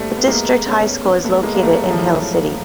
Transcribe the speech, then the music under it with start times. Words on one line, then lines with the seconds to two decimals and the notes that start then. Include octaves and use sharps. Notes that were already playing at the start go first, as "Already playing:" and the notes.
The district high school is located in Hill City.
Already playing: G3 A3 C4 D4
0.17 B3
0.27 G#3 A#3
0.66 B3 C#4
1.05 B3 C#4
1.24 A3 B3
1.43 G#3 A#3
1.55 A#3
1.63 G3 A3
1.82 F#3
1.91 F3
1.98 E3 F#3